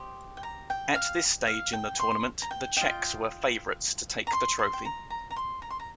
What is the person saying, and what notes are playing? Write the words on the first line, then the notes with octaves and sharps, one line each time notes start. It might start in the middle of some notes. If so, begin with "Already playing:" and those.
At this stage in the tournament, the Czechs were favourites to take the trophy.
Already playing: G4 C5 D#5 C6
G5
A#5
G5
F5
F5
G5
C6
A#5
G5
F4 D#5 G5
A#5
C6
C6
G5
A#5
A#5
A#5
C6
A#5
C6
A#5